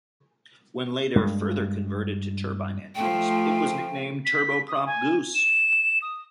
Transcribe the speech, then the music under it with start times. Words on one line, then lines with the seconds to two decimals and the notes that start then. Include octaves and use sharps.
When later further converted to turbine engines, it was nicknamed "Turboprop Goose".
1.16 G2 G#3
2.95 F3 A3 G5
4.25 B6
4.68 D#6
4.86 G#5
5.35 E7
6.02 D#6